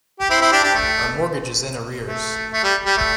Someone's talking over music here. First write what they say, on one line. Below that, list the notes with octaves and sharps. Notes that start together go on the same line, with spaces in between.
Our mortgage is in arrears.
G4
C4 E4
C4 E4
D4 G4
D4 G4
A3
A3
A3
G3
G3
A3